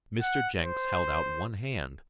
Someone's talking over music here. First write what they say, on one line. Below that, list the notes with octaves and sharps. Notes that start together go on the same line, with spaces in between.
Mr. Jenks held out one hand.
F#5
C5